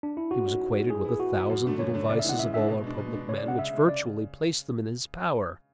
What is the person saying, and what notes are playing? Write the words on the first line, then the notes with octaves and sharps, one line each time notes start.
He was acquainted with a thousand little vices of all our public men, which virtually placed them in his power.
D4
E4
G#2 F#4
G#3 C#4 E4
G#2
G#3 C#4 E4
A2 G#4
E3 B3 E4 G#4
A2 F#4
E3 B3 E4
F#2
D3 A3 D4
F#2 C#5
D3 A3 D4
C#3 D5
E5
E3 G#3 D4 F#5
C#3 E5
E3 G#3 D4 E5
B2
G#3 D4
B2
G#3 D4
C#3 C#5
D5
G#3 D4 F#5
C#3 E5
G#3 D4
C#3 D5